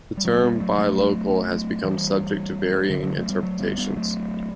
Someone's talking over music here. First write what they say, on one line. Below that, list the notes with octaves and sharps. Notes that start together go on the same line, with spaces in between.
The term "Buy Local" has become subject to varying interpretations.
G3
F#3 A3
G3 B3
B3
F#3 A3
F#3 A3
E3 G3
D3 F#3
D3 F#3
F#3 A3
G3 B3
F#3 A3
G3 B3
G3 B3
F#3 A3